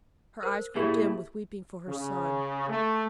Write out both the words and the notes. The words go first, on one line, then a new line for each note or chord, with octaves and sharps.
Her eyes grew dim with weeping for her son.
A#4 C5
A#2 A3 E4 G4 G#4
C#3
A3